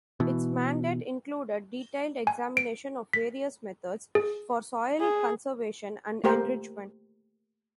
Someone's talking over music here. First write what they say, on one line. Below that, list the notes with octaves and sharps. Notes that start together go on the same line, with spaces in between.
Its mandate included detailed examination of various methods for soil conservation and enrichment.
B2 E3
G#5
D7
B6
G#4
G#4
A3 A#3 G4 A#4 C5 G5